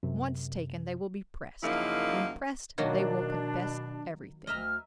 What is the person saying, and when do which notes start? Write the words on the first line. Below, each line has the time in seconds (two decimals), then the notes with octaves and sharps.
Once taken, they will be pressed; when pressed, they will confess everything.
0.03 F#2 C3
1.63 F#2 C#3 F3 A#3 D#4 E4
2.78 B2 D#3 F#3 A#3 D4
4.47 D2 D#5 E5 A#5 F6